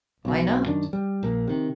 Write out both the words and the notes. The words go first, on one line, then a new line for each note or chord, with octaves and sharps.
Why not?
B1 B2
F#2 D#3 D4
G3
A#1 A#3
C3 D#3